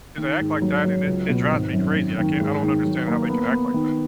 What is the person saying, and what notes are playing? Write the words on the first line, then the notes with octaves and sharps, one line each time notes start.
'Cause they act like that, and it it drives me crazy. I can't I don't understand how they can act like that.
D#3
G#2
F#3
F#3
C#2
B2
G#1
F#2
D#3
D#3
G#2
D#3
F#3
A#3
B3
B3
D#3